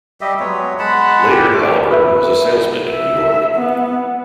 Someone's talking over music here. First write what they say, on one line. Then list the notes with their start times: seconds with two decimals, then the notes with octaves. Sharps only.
Later, Halliburton was a salesman in New York.
0.21 G3 G4 D#5 E5
0.40 F#3 G#3 B3 C#5
0.79 G#3 F#5 A5 B5
1.30 G4
1.52 A3 C#4 D6
1.91 B4 E5
2.89 E5
3.55 B3